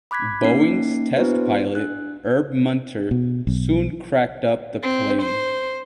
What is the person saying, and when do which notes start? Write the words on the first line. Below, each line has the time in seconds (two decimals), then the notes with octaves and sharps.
Boeing's test pilot, Herb Munter, soon cracked up the plane.
0.11 B5 D6 F#6 G#6 B6
0.44 A#3 C#4 D#4 C7
1.16 B3 D4 E4 F#4 B4 C5
1.75 D4 F#6
3.11 B2
3.47 B1
4.83 C4
5.22 C5